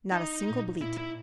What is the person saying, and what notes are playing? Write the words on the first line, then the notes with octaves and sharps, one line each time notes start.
Not a single bleat.
D#4
A#2
A#2 E4
E4